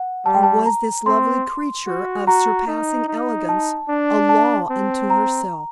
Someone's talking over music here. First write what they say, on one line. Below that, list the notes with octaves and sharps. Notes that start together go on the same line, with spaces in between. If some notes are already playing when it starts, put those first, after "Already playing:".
Or was this lovely creature of surpassing elegance, a law unto herself?
Already playing: F#5
G3 A5
G5
A5
A#5
C4 C6
F#4
F#4 A#5
D#4
D#4
A5
D4
A5
C4
A#5